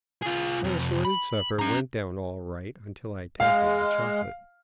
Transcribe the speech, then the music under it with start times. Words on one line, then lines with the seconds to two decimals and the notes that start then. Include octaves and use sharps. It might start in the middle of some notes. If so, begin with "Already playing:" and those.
My assorted supper went down all right until I tackled the chocolate.
0.22 F4 G#4
0.64 F2 C3
1.05 B5
1.59 C#4 A#5
3.40 G#3 F5